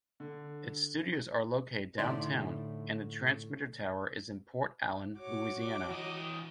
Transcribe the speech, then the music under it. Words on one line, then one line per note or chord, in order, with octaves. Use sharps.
Its studios are located downtown and the transmitter tower is in Port Allen, Louisiana.
D3
A2 D3 D#4 E4 D5 C6
F#4 C#5 D6
E3 D#5